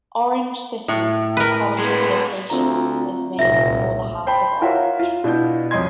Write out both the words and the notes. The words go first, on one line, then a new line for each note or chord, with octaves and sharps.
Orange City, the college's location, is named for the House of Orange.
A2
A#4 B4
G#3 B3
D2 C4 F4 A#5
F1 C2 A#2 E5 A#6
C5 G5 A5 B5 C6
F4 F#4 A#4 C#5 E5 F5
F4
B2 D4 E4 F4 G6
C2 F2 C#4 D#5 C6 G#6